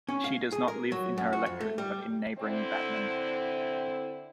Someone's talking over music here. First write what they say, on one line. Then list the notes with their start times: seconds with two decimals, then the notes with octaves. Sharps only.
She does not live in her electorate but in neighbouring Batman.
0.09 C#4
0.24 F5
0.52 G#4
0.68 A#4
0.92 F#3
1.18 F#2
1.33 F#4
1.46 F2
1.60 A3
1.78 G3
2.39 D3 C4 E4